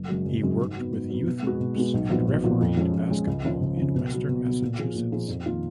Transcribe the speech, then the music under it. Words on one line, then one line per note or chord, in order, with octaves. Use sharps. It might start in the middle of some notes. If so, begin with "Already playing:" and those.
He worked with youth groups and refereed basketball in western Massachusetts.
Already playing: F#1
F#2 C#3 G#3
F#1
F#2 C#3 G#3
G#2
F#3 B3
G#2
F#3 B3
B2
G#3 B3 F#4
B2
G#3 B3 F#4
B1
A#2 F3 B3 F#4
B1
A#2 F3 B3 F#4
F2
F3 G#3 C#4
F2
F3 G#3 C#4
C#2
C#3 F3
C#2
C#3 F3
B2
F#3 B3
B2
F#3 B3
A#2
F3 A#3 F4 G#4
A#2
F3 A#3 F4 G#4
F2
D#3 A#3 F4